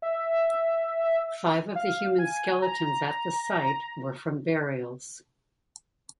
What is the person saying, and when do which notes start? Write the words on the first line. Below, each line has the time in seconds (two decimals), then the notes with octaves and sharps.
Five of the human skeletons at the site were from burials.
0.02 E5
1.75 F5
2.18 G#5
2.62 A#5